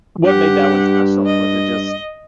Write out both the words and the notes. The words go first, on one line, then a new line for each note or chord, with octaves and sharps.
What made that one special? Was it just
G2 G4 F#5
D#5